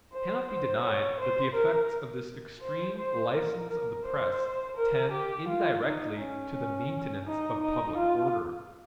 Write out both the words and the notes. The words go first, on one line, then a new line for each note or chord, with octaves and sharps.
It cannot be denied that the effects of this extreme license of the press tend indirectly to the maintenance of public order.
C5
C5
C#5
C5
A#4
C5
C5
A#4
A#4
C5
A#4
G4
F4
D#4
C#4
C#4
D#4
D#4
F4